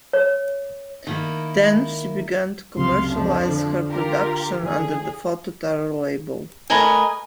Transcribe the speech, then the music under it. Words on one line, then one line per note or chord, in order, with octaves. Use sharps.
Then, she began to commercialize her production under the Photo Taro label.
C#5
D#3 A#3 E4
C#2 F#2 C3 F5 C6
F2 F3 D4
D3
F4 G4 A#4
D3 E3 G#4
A3 A#4 B4 D#5 G#5